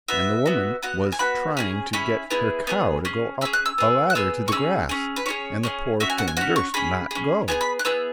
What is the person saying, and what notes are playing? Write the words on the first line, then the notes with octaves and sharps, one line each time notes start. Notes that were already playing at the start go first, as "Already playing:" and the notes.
And the woman was trying to get her cow to go up a ladder to the grass, and the poor thing durst not go.
B3 F#4 E5
B3 F#4
B3 F#4 F#5
G#5
B3 F#4 B5
C#4 E4 G#4
C#4 E4 G#4 B5
B3 E4 G#4
B3 E4 G#4
C#4 G#4
C#4 G#4 E6
F#6
E6
B3 G#4
F#6
B3 G#4 E6
C#6
C#4 G#4 E6
C#4 G#4
B4
C#4 E4 G#4 C#5
C#4 E4 G#4
C#4 F#4 E5
G#5
F#5
G#5
C#4 F#4 F#5
C#6
C#4 G#4 B5
C#4 G#4
B3 E4 G#4 G#5
B5
F#6
B3 E4 G#4 E6